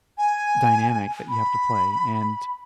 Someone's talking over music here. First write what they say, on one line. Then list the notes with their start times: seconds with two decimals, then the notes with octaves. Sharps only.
dynamic that you have to play, and
0.18 G#5
1.29 B5